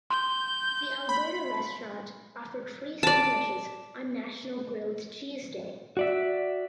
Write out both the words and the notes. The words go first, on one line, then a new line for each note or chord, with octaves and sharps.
The Alberta restaurant offered free sandwiches on National Grilled Cheese Day.
C6 G6
B5
D5 A5
F#4 D5 E5